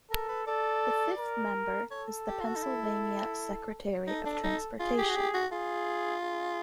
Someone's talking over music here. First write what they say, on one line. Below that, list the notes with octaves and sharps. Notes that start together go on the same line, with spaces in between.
The fifth member is the Pennsylvania Secretary of Transportation.
A4 A#4
B4
A4 D5
A#4
A4 C#5
G4
F4
F#4
D#4
E4
D#4 A4
D4
D#4
F4 G#4
G4
F#4
G4
F#4
F4 G#4
G#4